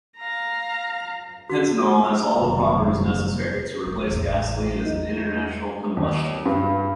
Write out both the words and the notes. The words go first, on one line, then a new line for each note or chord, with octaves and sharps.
Pentanol has all the properties necessary to replace gasoline as an internal combustion fuel.
F5 A#5
F#4
F#5
F#1 D#2 C3 G3
G3 G#3
A1 E2
E2 D#4
D#2
G2